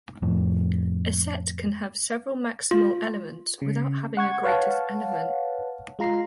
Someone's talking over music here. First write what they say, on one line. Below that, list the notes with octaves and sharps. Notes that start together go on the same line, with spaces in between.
A set can have several maximal elements without having a greatest element.
F2 A2
F4
C#3
F#5 C#6 G#6
B4 C#5 F5 F#5 A5
G#3 F4 A#5 C7